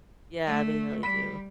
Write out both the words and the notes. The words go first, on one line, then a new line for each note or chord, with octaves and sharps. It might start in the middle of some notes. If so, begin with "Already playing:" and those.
Yeah, they really do.
A3
G3 B5